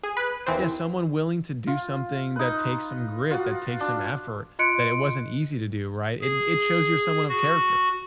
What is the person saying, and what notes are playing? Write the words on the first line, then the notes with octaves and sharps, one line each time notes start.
Yeah, someone willing to do something that takes some grit, that takes some effort, that it wasn't easy to do, right? It g it shows you're someone of character.
G#4
B4
D#2 E3 C4
F4
D#4 B4
F4 F#4
D4
F4 D#5 C6 F#6 C#7 D7
G#4
F#4